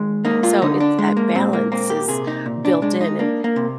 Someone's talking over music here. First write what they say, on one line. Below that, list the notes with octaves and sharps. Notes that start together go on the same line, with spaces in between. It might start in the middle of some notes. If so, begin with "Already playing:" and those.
so, it's that balance is built in and,
Already playing: D#3 G#3
A#3 D#4
F4
D3 D#4
D4
G#3
A#3
A#2 C4
A#3
A#3 C4
G4
C3 G#4
D#4
A#2
D4
G#3 D4
D#4
A#3 D4
A#3
C3